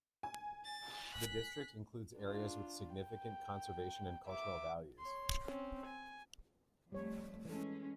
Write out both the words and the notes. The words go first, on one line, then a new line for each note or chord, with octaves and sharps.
The district includes areas with significant conservation and cultural values.
G#5
A6
F#6 B6
D4 F4
G5
E5 D6
C#5 C6
C4 C#4
G#5
F2 G3 A3 C#5
E3 G#3 C#4 A4